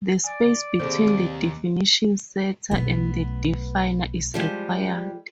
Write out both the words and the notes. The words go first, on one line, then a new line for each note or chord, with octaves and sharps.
The space between the definition setter and the definer is required.
D5 G#5
D#2 C3 G#4 A4 C5
B1 A3 B3
F3 G3 G#3